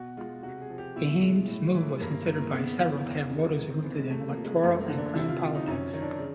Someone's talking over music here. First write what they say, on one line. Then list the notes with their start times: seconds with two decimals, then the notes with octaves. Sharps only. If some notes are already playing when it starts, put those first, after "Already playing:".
Kahin's move was considered by several to have motives rooted in electoral and clan-politics.
Already playing: B2 F#4
0.17 G#3 F4
0.43 C3 F#4
0.61 G#4
0.70 F3
0.78 G4
0.96 B2 E4
1.23 G#3
1.48 A2
1.74 E3
2.00 G2 A#3
2.27 D#3
2.36 A#3
2.53 C#3 B3
2.79 E3
3.05 E2
3.31 C#3
3.58 G#2
3.71 C4
3.84 E3 B3
3.98 G#3
4.10 C3 A3
4.28 A#3
4.37 F3
4.45 G#3
4.63 F#2 A3
4.80 A#3
4.89 D3
4.98 D4
5.16 C3 E4
5.29 F4
5.41 F3
5.55 D#4
5.67 F#2 C#4
5.93 D#3
6.02 D4
6.19 C#3